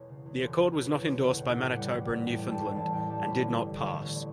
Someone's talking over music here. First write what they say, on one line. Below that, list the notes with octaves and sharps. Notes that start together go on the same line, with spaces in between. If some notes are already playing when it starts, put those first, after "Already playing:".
The accord was not endorsed by Manitoba and Newfoundland, and did not pass.
Already playing: E1 E2 C#5
C#3
E2
E1
E1
C#3 B4
E2
C#5
E1
A1 F#5
G5
E3
F#5
A2 G5
G3 F#5
A1
E3
A2 G5
G3
A5
A1
E3 A5
A2 G5
G3 A5
A1 B5
D3
G2
A1 C#6
A1
D3